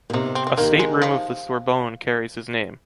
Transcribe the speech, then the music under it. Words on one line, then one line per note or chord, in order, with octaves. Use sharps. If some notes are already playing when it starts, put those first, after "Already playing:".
A state room of the Sorbonne carries his name.
A#2
C3 A#3 D#4
C4
C4
D#3 A#3
G#3
F3